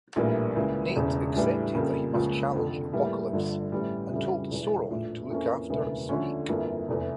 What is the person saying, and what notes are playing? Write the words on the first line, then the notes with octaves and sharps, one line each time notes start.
Nate accepted that he must challenge Apocalypse, and told Soaron to look after Sonique.
A#1 A2 E3 G3 A#3
C#2 C#3 E3 A#3 E4
E1 E2 C#3
A2 E3 G3 D4
F2 C#3 G3 A#3
C#2 C#3 F3 A#3 C#4
F1 F2 D3
A2 E3 G3 A#3
G1 G2 D3 F3
A1 A2 E3 G3
F2 C#3 E3 G3
E1 E2 E3
A#1 A2 F3
F2 E3 A#3 C#4
E1 D2 C#3 E3 A#3
D2 D3 F3 A3 C#4
G1 F2 E3 A#3
F1 E2 E3